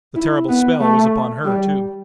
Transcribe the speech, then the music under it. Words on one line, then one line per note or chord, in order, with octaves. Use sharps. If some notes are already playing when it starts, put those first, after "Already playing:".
The terrible spell was upon her, too.
E4
B3
A3
G3